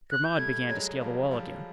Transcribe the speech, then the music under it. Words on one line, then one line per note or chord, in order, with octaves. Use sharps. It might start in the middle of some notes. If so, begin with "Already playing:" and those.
Grimaud began to scale the wall again.
F#6
G6
G3 A3 G#6
F#3 G#3
F3 G3
F3 G3